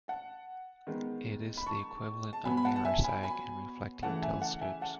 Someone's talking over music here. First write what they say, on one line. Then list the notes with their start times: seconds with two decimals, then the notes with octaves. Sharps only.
It is the equivalent of mirror sag in reflecting telescopes.
0.08 F#5 A5
0.87 D#3 G#3 B3
1.57 B5
1.67 A5 C#6
2.33 A5
2.45 B2 F#3 B3 G#5 B5
2.57 B5
2.65 F#5 A5
2.76 A5
2.85 E5 G#5
3.04 G#5 B5
3.23 G#5 B5
4.03 C#3 E3 A3 F#5 A5
4.22 E5 G#5
4.42 F#5 A5
4.61 E5 G#5
4.82 F#5 A5